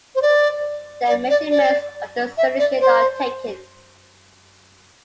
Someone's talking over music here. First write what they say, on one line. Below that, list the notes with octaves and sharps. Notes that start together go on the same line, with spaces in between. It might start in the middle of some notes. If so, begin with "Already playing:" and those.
Then measurements of the solution are taken.
C5
D5
D5
D5
D5
E5
D5
C5